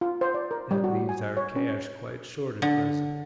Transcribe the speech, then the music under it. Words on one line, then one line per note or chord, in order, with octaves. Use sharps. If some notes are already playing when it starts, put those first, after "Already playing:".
That leaves our cash quite short at present.
F4
C5
D5
A#4
G3
F#4
G#5
C#5
C#4
D3